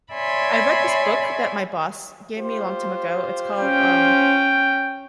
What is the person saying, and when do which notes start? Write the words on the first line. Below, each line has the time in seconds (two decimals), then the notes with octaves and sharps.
I read this book that my boss gave me a long time ago, it's called, um
0.13 C#5 D5 E5 G#5 B5 C6
2.36 F4 G4 C5
3.60 C#4 G5